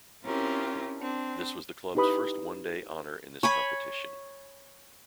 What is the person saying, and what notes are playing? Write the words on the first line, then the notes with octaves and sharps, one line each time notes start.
This was the clubs first one day honour in this competition.
C4 C#4 E4 F4 G4 A#4
C4 D4
D#4 E4 G4 B4 B5 D#6
C#5 G#5 B5